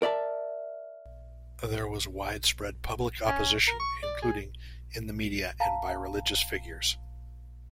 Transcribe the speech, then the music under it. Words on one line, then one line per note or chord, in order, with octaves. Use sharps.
There was widespread public opposition including in the media and by religious figures.
A#4 D5 E5 A5
C#4
A#4
C#6
D5
G#4
F5 A5 A#5